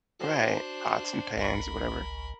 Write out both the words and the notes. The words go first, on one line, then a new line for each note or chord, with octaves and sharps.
Right, pots and pans or whatever.
D4 F#4 C5
G#1 C#2 A#4 B5